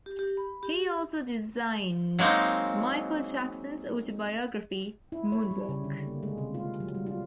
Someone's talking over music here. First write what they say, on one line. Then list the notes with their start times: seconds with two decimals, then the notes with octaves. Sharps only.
He also designed Michael Jackson's autobiography, "Moonwalk".
0.06 G4
0.19 G4
0.37 B5
0.63 G4
2.19 F#3 G#3 A#3 C4 D#4
5.12 E4
5.32 C#5
5.51 G3
5.69 C#3
5.84 D3
6.07 A#3
6.23 G#3
6.38 C3
6.54 F4
6.80 F#3
6.95 G3
7.06 F4